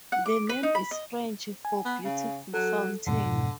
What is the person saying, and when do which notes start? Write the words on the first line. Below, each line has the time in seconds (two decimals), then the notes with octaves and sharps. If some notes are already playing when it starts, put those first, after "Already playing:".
The name is French for "beautiful fountain".
0.12 F#5
0.26 D6
0.49 B4
0.63 D#4
0.75 B5
0.91 D#5
1.65 G#5
1.85 B3
2.04 C#3
2.54 F#3 A4
3.07 F2 G#2 B2 D3